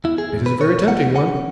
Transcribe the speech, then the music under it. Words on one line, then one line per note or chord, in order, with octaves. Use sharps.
"It is a very tempting one."
E2 E4
G#4
E2
B4
B2 C#5
E2 F#5
C#4 F#5